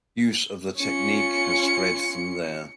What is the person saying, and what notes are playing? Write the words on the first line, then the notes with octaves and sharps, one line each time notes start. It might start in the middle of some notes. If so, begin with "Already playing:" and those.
Use of the technique has spread from there.
C#4 F4 C#7